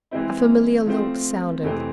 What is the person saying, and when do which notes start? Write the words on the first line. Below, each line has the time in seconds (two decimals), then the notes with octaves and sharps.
A familiar lilt sounded.
0.11 E3 G#3 C4 E4
0.87 F3 A3 C4
1.63 F2 C3 E3 A3 C4